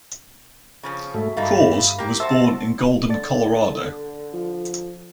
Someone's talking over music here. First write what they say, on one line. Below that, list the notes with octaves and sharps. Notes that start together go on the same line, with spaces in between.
Coors was born in Golden, Colorado.
C#3 F3 C#4
G#2 A3 F#4 A4 E5
G2 E3 A3 D#4 F5 B5
A#3 G4
F#4 C5 E5 A5 C6 E6
D3 A4 D5 A6
F3